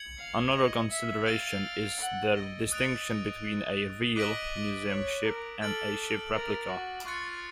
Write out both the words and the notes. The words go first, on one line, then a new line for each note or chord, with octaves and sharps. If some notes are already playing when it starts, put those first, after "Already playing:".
Another consideration is the distinction between a "real" museum ship, and a ship replica.
Already playing: G#6 C#7 F#7
F5
D#5
E5
F5 E6 A6 D7 G7
F#5
D#5
D#6 F#6 A6 D7 F7
D#5 D6 F#6 B6 D7 F#7
C#5
A#4
A4 F6 A6 D7 F#7
A#4
F#4
F4 C#6 F#6 A6 C#7